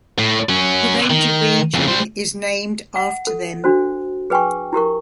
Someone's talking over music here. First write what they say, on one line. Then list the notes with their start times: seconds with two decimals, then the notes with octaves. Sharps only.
The Caraga Region is named after them.
0.18 A2
0.49 F#3 C#4
1.10 D#3
1.74 F2 C#3
1.88 G3 C5
2.96 F#5
3.27 A4
3.64 D4 F#4 C5
4.30 G#4 B4 G5 G#5 C#6
4.73 E4 G4 A#4 C#6